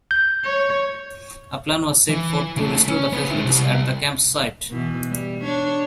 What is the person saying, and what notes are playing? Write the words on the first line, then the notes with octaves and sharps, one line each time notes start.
A plan was set forth to restore the facilities at the camp site.
G6
C#5
E3
C#3 A3
C#4
C4 B4
G#3 E4
C2
B2 E3
G3
D4 C#5